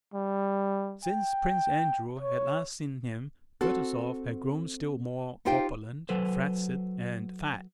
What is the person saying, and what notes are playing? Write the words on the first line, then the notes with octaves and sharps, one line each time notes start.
Since Prince Andrew had last seen him Kutuzov had grown still more corpulent, flaccid, and fat.
G3
G5
C#5
C4 F#4 A4
D#4 F4 G4 C5 F5 G5
F#3 A4 B4 C5